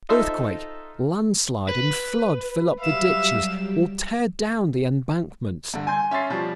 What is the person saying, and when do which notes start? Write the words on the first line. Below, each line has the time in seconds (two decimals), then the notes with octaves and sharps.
Earthquake, landslide, and flood fill up the ditches, or tear down the embankments.
0.09 D#4 F4 A4 C5 E5
1.69 B4
2.80 F#3 G3 G4 E5 F5 E7
5.74 G2 D3
5.87 G#5 C6 G6 G#6
6.11 C#4 E5 C6 A6 C7
6.30 B2 F3 G3